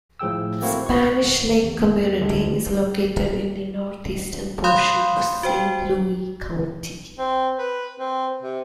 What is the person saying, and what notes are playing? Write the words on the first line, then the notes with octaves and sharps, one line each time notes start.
The Spanish Lake Community is located in the northeastern portion of Saint Louis County.
A2 F3 G#4 G5 E6
A#3 C4 E4 F#4 A4 C5
C#6
E2
D2 D3 G3 G#3
F5 B5 C6 D#6 F#6 G6
F#4 C5 G5
C4
B4
C4
C3